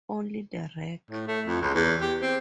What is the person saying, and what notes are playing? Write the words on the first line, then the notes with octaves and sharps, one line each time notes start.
Only the Rec.
A2
A3
F2
C#2
E2
G4
C4